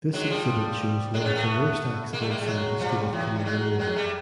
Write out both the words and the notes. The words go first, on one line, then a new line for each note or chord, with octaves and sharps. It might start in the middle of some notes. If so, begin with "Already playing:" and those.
This exhibit shows one of the worst accidents in the history of Canadian Railway.
F#3 G#3
F3 G3
F#3 G#3
D4
B3 C#4
A3 B3
G#3 A#3
G3 A3
G#3 A#3
G3 A3
F#3 G#3
F3 G3
E3 F#3
G3
F#3 G#3
F#3 G#3
G3 A3